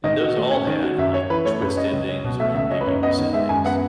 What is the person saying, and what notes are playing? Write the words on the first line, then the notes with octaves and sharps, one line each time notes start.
and those all had, like, twist endings or ambiguous endings,
D#3 D#5
F#4
A3
C#4
D#3
F#4
F#2 E5
C#4 C#5
E3 B4
A3 C#5
F#2 B4
C#4 D#5
C#2
C#4
B2
A3 E5
C#2 E5
C#4 D#5
B4
F#2 C#5
B3 D#5
D#3
G#3 E5
F#2 G#5
B3 F#5